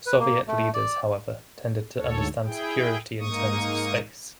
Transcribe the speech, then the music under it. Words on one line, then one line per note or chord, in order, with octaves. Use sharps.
Soviet leaders, however, tended to understand security in terms of space.
B4
A#3
A3
D5
D2 G#2 A4 C#5
E4 G#4 G5
G#2 A#3 D#4 C#6 D#6